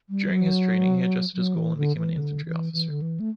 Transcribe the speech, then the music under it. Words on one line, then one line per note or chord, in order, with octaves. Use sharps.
During his training he adjusted his goal and became an infantry officer.
G3
F#3
F#3
E3
D3
E3
D3
E3
E3
D3
E3
A3